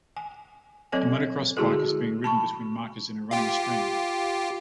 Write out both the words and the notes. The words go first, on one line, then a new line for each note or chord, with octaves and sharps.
A motocross bike is being ridden between markers in a running stream.
G#5
F#3 C4 A4 C#5 D#5 G#5
D3 G#3 E4 F#4 G#4 A4
A5 B5 C#6
F4 G4